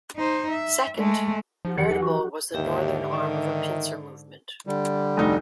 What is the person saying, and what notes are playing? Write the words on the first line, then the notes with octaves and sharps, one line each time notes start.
Second, "Veritable" was the northern arm of a pincer movement.
D#4 C5
E5
G#3 A3
F3 D#4 G4 F#5
E2 D#3 E3 F#3 F#5
E3 D#4
F#4
D#2 G#2 D3 G4 E5 G5
D#3 D5 E5
D3 G3
F1 D2 D#4